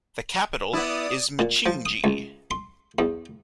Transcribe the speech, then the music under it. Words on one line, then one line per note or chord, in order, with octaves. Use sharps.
The capital is Mchinji.
B3 E4 D5 D#6
A#2
F3
D#6
C#2
C6
E2